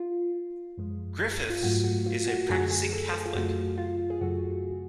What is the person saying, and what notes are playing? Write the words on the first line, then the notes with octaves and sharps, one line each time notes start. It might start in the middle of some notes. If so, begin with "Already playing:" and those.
Griffiths is a practising Catholic.
Already playing: F4
F#2 F3 G#3
F4
G#2 F#3 A3 F#4
F#4
F4
F#4
F#2 D3 F#3 A3 G#4
G#4
A4
G#4
F4
F#2 C#3 F#3 A3 F#4
F4
G#4
F#2 C#3 F#3 A3 F#4